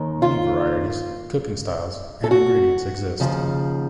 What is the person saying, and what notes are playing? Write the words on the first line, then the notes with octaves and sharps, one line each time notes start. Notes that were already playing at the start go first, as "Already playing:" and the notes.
Many varieties, cooking styles, and ingredients exist.
Already playing: D#2 D#3
F4
A4
F#4
D#2 C#3 F3